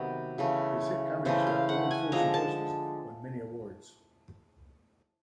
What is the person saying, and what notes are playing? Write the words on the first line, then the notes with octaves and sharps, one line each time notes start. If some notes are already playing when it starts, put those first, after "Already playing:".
His hit comedy show, "Only Fools and Horses" won many awards.
Already playing: C3 D#3 F#3 B3
C#3 E3 A3
C#3 E3 A3 C5
F5
F#5
G#5
D3 F3 G#3 A#5
A5